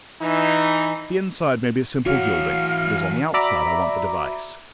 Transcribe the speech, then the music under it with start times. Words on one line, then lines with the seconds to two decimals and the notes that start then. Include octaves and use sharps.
The inside may be simple gilding: it is on the outside I want the device.
0.21 E3 D#4
2.06 E3 F#4 C#5 F5 F6
3.34 F#4 D5 E5 A#5 B5 D6